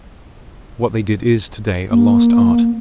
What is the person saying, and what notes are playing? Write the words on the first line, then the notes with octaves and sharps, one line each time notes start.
What they did is to-day a lost art.
A#3